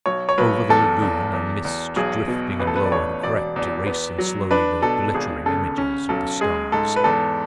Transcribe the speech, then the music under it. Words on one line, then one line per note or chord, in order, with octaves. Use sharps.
Over the lagoon a mist drifting and low had crept, erasing slowly the glittering images of the stars.
B1 C#5
C#5
B1 B4
E2 A4
E2
E2
E2
B1 G#4
B2
A1 B4
A4
B4
D5
A1 C#5
E1 D5
E2
B3
F#3
D4 B4
B2 A4
G#1 G#4
C#3 A4
C#4
B1 A4
G#3 G#4
G#2 A4
B4
E2 A4